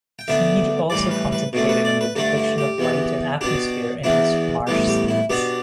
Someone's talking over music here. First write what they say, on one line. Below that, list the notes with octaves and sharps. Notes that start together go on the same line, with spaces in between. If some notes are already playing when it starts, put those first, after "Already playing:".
Heade also concentrated on the depiction of light and atmosphere in his marsh scenes.
G5
D2 D3 B3 D4 E5
A2 E3 G3 D5
B4
B4
B2 A3 D4
B4
D5
B4
G2 D3 A3 D4 A4
E4
G4
E2 E3 B3
B2 B3 D4 G4
E2 E3 B3 D4 E4
A2 E3 G3 B3 G4
G4
E4
B2 B3 D4 G4